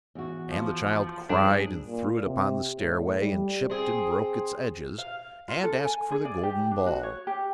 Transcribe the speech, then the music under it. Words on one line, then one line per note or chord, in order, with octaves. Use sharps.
And the child cried and threw it upon the stairway and chipped and broke its edges and asked for the golden ball.
E2 F#4
F3
G2 F3 D4 G#4
A#2
C3
A2
G3
C4 G#4
F5
F4
A4
G#5
G#4
D5
G4
D4
F#4
C#5
G4